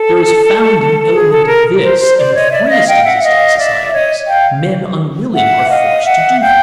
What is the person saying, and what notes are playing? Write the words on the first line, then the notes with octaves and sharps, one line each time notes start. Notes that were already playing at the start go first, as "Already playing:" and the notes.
There is found an element of this in the freest existing societies; men unwilling are forced to do things.
Already playing: A4
G#4
A4
A#4
C5
C5
C5 D5
C#5 D#5
D5 E5
E5
D#5 F5
F5 G5
E5 F#5
D#5 F5
D5 E5
C#5 D#5
F5 G5
E5 F#5
D#5 F5
E5 F#5
F5 G5